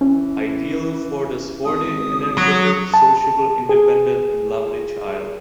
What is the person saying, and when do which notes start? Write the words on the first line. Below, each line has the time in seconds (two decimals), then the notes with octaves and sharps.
Ideal for the sporty, energetic, sociable, independent and lovely child.
0.01 E3 C#4
1.65 G#1 D#6
2.38 F#3
2.94 A5
3.69 G#4